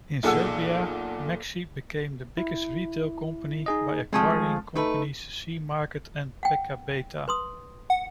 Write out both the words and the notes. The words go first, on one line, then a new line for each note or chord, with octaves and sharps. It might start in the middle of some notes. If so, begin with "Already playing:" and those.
In Serbia, Maxi became the biggest retail company by acquiring companies C-market and Pekabeta.
B1 A#2 G#4 A4 F#5 E6
E4
D#4 G#4 D#5
F3 G#3 A3 C4 G#5 D#6
A3 D#4 A4 B4
F#5 G5
B4 C6 D#6
F#5